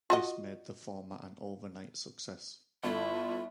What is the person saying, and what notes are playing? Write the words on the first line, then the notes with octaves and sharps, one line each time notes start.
This made the format an overnight success.
F4 F#4 D#5
G1 A3 E4 F4